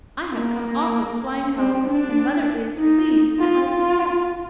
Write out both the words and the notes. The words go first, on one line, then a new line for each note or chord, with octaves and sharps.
I have come off with flying colors, and mother is pleased at my success.
A#3
C4
D4
D#4
F4
F4